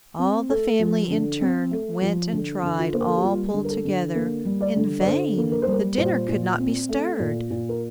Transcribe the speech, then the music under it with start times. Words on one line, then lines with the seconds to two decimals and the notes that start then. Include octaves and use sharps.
All the family, in turn, went and tried; all pulled together, in vain; the dinner could not be stirred.
0.19 C4
0.49 A3 A4
0.80 F3
1.10 D3
1.41 C4
1.71 A3
2.02 F3
2.32 D3
2.63 D3
2.78 F4
2.93 A#3 C5
3.01 A#4
3.08 A4
3.16 G4
3.24 G3 F4
3.54 D3
3.64 A#4
3.70 A4
3.85 D3
4.15 A#3
4.45 G3
4.61 D5
4.76 D3
5.01 D5
5.06 D3 C5
5.37 A#3
5.52 A#4
5.62 G3 C5
5.72 A#4
5.97 A#2 C5
6.28 A#2
6.59 C4
6.89 A3
7.20 A#2
7.50 A#2
7.69 A#4